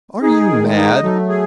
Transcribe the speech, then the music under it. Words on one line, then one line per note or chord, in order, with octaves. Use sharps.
"Are you mad?"
D#4 G#4
D#3
G#3
D#4
F#3 A3
G#4